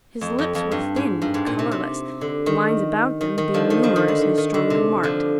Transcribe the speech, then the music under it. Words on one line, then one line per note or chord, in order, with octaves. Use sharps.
His lips were thin and colourless, the lines about them being numerous and strongly marked.
F2
F2
F2
G2
G#2
G2
G#2
A#2
C3
C3
D3
D#3
D#3
D#3
D3 F3
D#3
D3 F3
D#3
D3
D#3
D#3
D3
C3
D3 F3